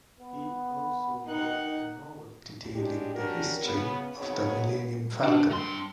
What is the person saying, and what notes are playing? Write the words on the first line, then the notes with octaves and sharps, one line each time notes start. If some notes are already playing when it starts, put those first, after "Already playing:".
He also wrote a novel detailing the history of the "Millennium Falcon".
B3
D#3 D#4 F#5
F#3 G#3 D4 G4
C#4 D4 F#4 G4 A#4
C#3 B3
C#3 F#3 B3 C4 D#4 C#5
D3 D4
G2 C6